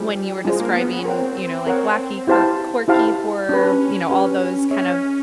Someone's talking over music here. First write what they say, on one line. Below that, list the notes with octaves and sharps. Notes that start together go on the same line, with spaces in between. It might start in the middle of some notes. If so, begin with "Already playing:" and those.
When you were describing, you know, like wacky, kirk quirky, horror, you know, all those kind of
Already playing: G3 D4 F4 G#4 C5
G#3 D4 F4 G#4 C5
A#3
B3
B3
C#4
C4 A#4 C#5 F#5
A#4 C#5 F#5
E4 G4 C5 F5 A5
E4 G4 C5 F5 A5
C#4 D4 G4 B4
D4 G4 B4
C#4 G#4 C#5 E5